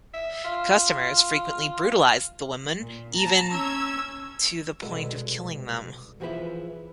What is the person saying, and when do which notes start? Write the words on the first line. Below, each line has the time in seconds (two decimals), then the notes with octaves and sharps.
Customers frequently brutalized the women, even to the point of killing them.
0.14 E5
0.44 F4
2.81 A#2
3.14 A5 A#5
3.51 C#4 E6 G#6
4.82 C2 B2 G#3 A4 B4 D#5
6.20 E3 F3 F#4 G#4 B4 E5